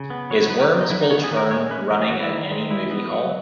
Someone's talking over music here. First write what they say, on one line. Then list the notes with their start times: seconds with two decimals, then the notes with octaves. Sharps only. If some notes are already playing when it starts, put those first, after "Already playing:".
Is Worms Will Turn running at any movie hall?
Already playing: C#3
0.10 B3
0.30 F#3 C#5
0.41 C#5
0.50 B3 B4
0.60 A#4
0.71 B3
0.81 D#4
0.90 D#3 E4
1.01 D#4
1.10 B3 C#5
1.23 G#4
1.31 D#3
1.37 A#4
1.51 G#3 C#5
1.70 C#4 B4
1.90 E3 A#4
2.01 G#4
2.11 E3 F#4
2.20 E4
2.30 D#3
2.51 G#3
2.70 E3 E4
2.91 B3
3.11 F#3